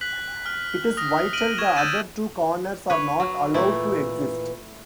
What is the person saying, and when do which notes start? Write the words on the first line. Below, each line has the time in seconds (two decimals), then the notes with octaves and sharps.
It is vital the other two corners are not allowed to exist.
0.01 F#6 B6 F#7
0.46 F6
0.97 D#6 F6 A#6
1.33 F6 D7 D#7 F#7
1.58 C#6 G#6 E7
1.76 E6 F6 G6 A6 D#7 E7
2.90 B4 C#5
3.20 F#3
3.54 A#2 E3 A3 E4